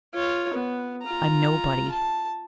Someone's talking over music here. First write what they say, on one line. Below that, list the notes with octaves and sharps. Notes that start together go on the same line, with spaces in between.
I'm nobody.
F4 C#5
B3
F4 A#5
A5